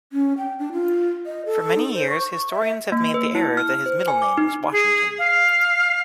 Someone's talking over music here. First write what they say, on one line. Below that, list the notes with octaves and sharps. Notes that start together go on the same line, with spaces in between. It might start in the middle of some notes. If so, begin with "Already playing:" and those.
For many years, historians have made the error that his middle name was Washington.
C#4
G5
D4
F4
D#5
A4
D#4
C5
C#6
C#6
E5
A#3
B4
E4
F6
C5
G#5
D6
D#4
G#4
F5